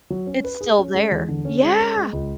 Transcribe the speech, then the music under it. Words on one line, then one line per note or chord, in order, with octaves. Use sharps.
It's still there, yeah.
F#3
C#4
B4
G#4
C#4
G#3
E2
D3
C#4
G#3
C#4
G#3
C#2